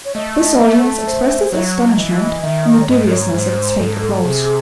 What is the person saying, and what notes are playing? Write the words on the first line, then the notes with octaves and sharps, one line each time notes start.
This audience expressed its astonishment, in the dubiousness of its faint applause.
C#5
A3 D#5
D#5
A3 E5
C5
A4
C5
F#3 C#5
E3 D#5
D#5
D#3 E5
D#5
C#5
G#2 D#5
C#5
G#2 C5
G#2 A4
C3 G#4